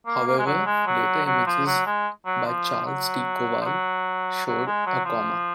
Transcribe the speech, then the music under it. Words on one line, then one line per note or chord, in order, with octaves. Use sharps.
However, later images by Charles T. Kowal showed a coma.
A#3
A#3
G#3
F#3
G#3
F#3
F#3
F3
F#3
G#3
F#3
F3
F#3
F3
F#3
F#3
G#3
F#3
F3